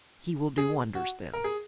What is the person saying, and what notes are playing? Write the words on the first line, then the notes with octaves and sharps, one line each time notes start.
"He will do wonders then."
G#4
F#4
A#4
G#4